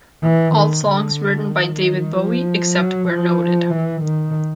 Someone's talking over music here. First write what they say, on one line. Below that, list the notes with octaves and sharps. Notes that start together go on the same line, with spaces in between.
All songs written by David Bowie, except where noted.
E3
D#3
D3
D#3
F3
F#3
F3
E3
D#3